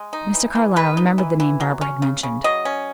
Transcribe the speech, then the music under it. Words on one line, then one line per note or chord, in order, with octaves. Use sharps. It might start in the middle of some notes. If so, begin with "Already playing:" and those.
Mr. Carlyle remembered the name Barbara had mentioned.
Already playing: G#3
D#4
E3
E3
G#3 B4
D#4
E3
E3
F#3
C#4
C#3
C#3
F#3 D#5
C#4